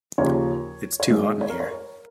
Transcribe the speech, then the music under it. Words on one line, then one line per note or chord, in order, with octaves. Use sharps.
It's too hot in here.
D#2 C#3 F3 A#3 C#5
C#5
G#1 G#2 G#3 D#5
C#5
A#4
C#5
A#4